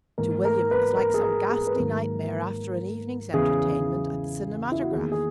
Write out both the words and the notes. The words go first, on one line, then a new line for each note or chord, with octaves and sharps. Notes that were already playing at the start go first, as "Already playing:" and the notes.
To William it was like some ghastly nightmare after an evening's entertainment at the cinematograph.
G#2 E3 A#3 A#4
A#4
B4
A#4
G#4
A#4
G#4
B4
G#2 D#3 F#3 A#3 A#4
E2 C#3 E3 G#4
E4
F#4
E2 D#3 A#3 G#4
G#4